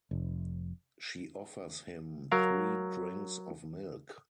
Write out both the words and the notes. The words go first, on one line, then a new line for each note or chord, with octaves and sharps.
She offers him three drinks of milk.
F1
F#3 A#4 F5